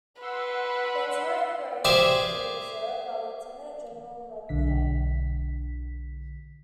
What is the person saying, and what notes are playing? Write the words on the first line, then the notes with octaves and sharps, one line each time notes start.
The entire operation would be observed by Lieutenant General McNair.
B4 F#5 C6 E6
G4 G#4 C5 D5 E5 F5
B1 D3 B6